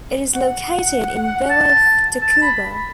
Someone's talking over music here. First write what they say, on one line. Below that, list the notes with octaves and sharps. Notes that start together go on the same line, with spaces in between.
It is located in Villa of Tacuba.
F#5
A5
A5
B5